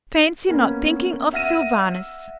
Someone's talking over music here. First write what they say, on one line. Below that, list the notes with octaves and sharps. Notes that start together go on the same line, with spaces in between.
"Fancy not thinking of Sylvanus!"
A#3 B3 C#4
E5 F#5 F6 A#6 D#7 E7